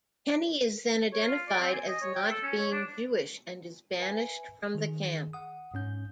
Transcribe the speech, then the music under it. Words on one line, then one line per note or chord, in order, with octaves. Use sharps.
Kenny is then identified as not being Jewish and is banished from the camp.
C#5
F4
D5
C4
G#5
D#5
C#5
G5
A4
C#4
C#5
D4
B4 E5 G#5
D#3 G#4
F#5 D#6
G#2 C#4 G6